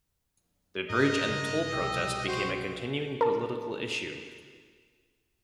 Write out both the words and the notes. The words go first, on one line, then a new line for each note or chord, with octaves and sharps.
The bridge, and the toll protest, became a continuing political issue.
G#2 G#3 A#4 D#5
G2 C#3
C2 B2 G3 G4 E6
F#4 C5 C#6
A#4 A5